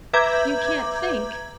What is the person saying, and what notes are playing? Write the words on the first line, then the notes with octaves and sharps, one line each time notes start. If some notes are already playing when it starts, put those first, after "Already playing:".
You can't think.
B4 E5 A#5 D6 G6 G#6